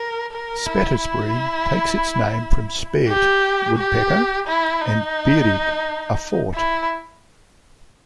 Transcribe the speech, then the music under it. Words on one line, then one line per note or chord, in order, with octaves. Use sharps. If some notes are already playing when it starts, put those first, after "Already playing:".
Spetisbury takes its name from speht - woodpecker, and byrig - a fort.
Already playing: A#4
A#4
E4
E4
G4
G4
E4
D#4
E4